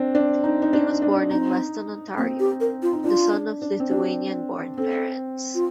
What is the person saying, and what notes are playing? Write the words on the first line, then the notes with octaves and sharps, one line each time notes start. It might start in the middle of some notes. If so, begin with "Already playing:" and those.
He was born in Weston, Ontario - the son of Lithuanian-born parents.
Already playing: C4 D4
D4
D#4
D#4
D4
D4
C4 D#4
A#3 C4
G4
A#4
F4
D#4
D4 F4
D4
D4
C4
D4 G4
C4 A4
F4